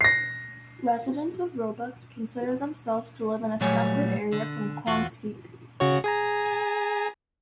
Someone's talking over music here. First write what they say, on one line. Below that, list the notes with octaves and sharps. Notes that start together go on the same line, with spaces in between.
Residents of Roebuck consider themselves to live in a separate area from Clonskeagh.
A#6 C7
A#2 F#3 G3 A3 C#5 G#5
D3
E2 F4 F#4
C#3 F#4 C#5
G#4 G#5 A#5